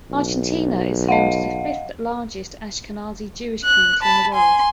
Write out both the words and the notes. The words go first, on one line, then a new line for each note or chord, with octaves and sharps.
Argentina is home to the fifth largest Ashkenazi Jewish community in the world.
B1
D#5 F5 F#5
F#6
A5 B5
G#5 C6